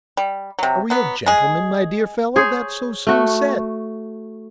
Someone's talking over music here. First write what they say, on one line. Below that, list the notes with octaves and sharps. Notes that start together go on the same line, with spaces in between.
"A real gentleman, my dear fellow--that's so soon said!"
G3
C3 F#3
F#3 B3
G#3 G#4
G#4 C5 C#5
A3 F#4